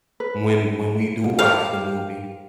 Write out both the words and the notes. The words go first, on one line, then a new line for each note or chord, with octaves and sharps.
when when we do watch the movie
B4
G4 A#4 C5 F5